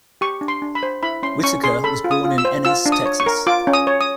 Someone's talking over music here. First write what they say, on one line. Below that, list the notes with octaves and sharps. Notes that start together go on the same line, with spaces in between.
Whitacre was born in Ennis, Texas.
G4 C#6
D4
C6
D4
B5
C5
E4 B5
C#4 C6
C#4 C#6
G#4 C6
A4 B5
F4
D#6
F4
E6
C5
F4 E6
D4
D#6
C#5
C#6
A#4
F4 D6
C#4
D#6
C#5
D#6